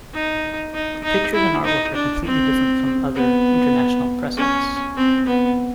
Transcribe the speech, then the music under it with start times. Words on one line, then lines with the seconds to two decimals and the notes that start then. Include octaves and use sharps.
The pictures and artwork are completely different from other international pressings.
0.14 D#4
0.74 D#4
1.04 D#4
1.34 E4
1.64 D#4
1.95 D4
2.25 C4
3.15 B3
4.37 C#4
4.97 C4
5.27 B3